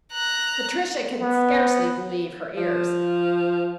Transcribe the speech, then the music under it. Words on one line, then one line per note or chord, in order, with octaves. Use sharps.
Patricia could scarcely believe her ears.
A#5 F#6
B3
F3